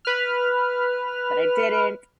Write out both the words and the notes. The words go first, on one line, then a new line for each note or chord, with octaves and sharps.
but I didn't,
B4 F6